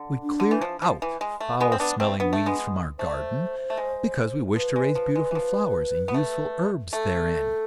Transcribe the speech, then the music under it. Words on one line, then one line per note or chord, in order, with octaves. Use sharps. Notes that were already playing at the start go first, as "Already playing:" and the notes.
We clear out foul-smelling weeds from our garden, because we wish to raise beautiful flowers and useful herbs therein.
Already playing: D3
D4
D3
E3
F3
F3
E3
G#3
A3
G#3 B3
C4
B3 D4
A3 C4
B3 D4
A3
G#3 B3
A3 C5
D5
C5
A3
G#3
F3 B4
G#3
F3
G#3
E3
F3
B3
A3
A3 A4